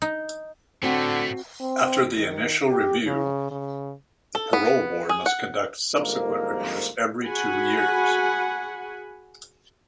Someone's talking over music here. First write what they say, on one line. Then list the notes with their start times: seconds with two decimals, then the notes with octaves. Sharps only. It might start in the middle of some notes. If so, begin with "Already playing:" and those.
After the initial review, the Parole Board must conduct subsequent reviews every two years.
0.02 D#4
0.83 A2 D3 A3 C4 F#4
1.60 C4
2.18 D#3
2.68 G4
3.07 C#3
3.51 C#3
4.35 A4
4.53 B3
5.09 G#4
5.26 F#5
5.97 G#2 D3 F3 G3 A#3 A#4
7.25 F#4 G#4 F#5 G#5 B5